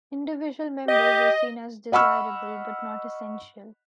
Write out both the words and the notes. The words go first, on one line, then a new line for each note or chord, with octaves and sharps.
Individual members were seen as 'desirable', but not essential.
G4 D#5
D#5 F#5 B5 C#6 E6 F6